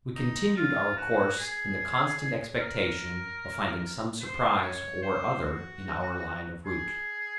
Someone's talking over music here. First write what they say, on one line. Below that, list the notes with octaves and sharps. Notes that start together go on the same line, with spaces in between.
We continued our course in the constant expectation of finding some surprise or other in our line of route.
D#4
F4
F#4
G#4
A#4
C5
C#5
C5
F#4
G#4